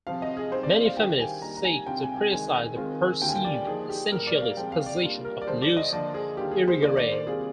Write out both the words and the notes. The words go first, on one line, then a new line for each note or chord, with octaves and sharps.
Many feminists seek to criticize the perceived essentialist positions of Luce Irigaray.
C3 F3 C4 F4 F5
D#5
G#4
G3 C4 D#4 C5
D5
F5
F5
D#3 G3 D4 G5
G#5
G3 A#3 D#4 A#5
A#5
G#5
C3 G3 D4 F4 G5
G#5
G#5
D#3 G#3 D#4 G#5
D#3 G#3 C4 F4
D3 G3 A#3 F4 G5
G#5
G5
D5
F3 A#3 D#4 G#4
G4
A#2 G3 A#3 A#4
D5
F5
F3 G#3 C4 F4 G5
F5
D5
G3 A#3 D4 F4
A#4
D5
D3 F3 G#3 C5
D5
D#5
D3 F3 A#3 D5
G#4
D#3 G3 A#3 D4 F4 G4
G#4
C5
D#3 A#3 D4 F4 D5
D5
C5
C3 G3 A#3 F4 G#4